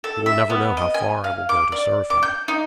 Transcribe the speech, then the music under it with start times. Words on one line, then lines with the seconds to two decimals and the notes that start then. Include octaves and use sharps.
He will never know how far I will go to serve him.
0.04 A4
0.26 E5
0.50 B3
0.77 D#5
0.94 G#5
1.24 F5
1.49 D6
1.72 D5
2.10 D6
2.23 G6
2.48 D#4